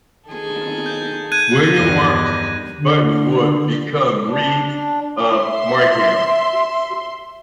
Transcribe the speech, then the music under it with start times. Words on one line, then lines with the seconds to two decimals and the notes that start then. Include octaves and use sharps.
William Marr Button would become reeve of Markham.
0.28 D#3 G#4 A4
0.86 G6
1.32 F#6 G#6 D#7
1.76 E2 G2 D#3 A#6
2.78 D3
4.29 D4
5.32 E5 C6